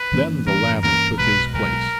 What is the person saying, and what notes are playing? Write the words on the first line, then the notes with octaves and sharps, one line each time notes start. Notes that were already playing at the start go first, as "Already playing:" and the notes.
Then the latter took his place.
Already playing: B4
G2 E3 A#3 C#4
G2 E3 A#3 C#4 A#4
G2 E3 A#3 C#4 A#4
B1 B2 G#3 B4
B1 B2 G#3 A#4